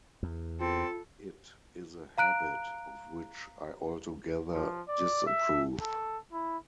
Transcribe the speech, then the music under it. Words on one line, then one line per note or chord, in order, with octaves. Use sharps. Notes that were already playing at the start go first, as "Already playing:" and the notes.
It is a habit of which I altogether disapprove.
E2
C4 F4 A4
F5 A#5 F#6 D7
F3
D5
E5
A4
E4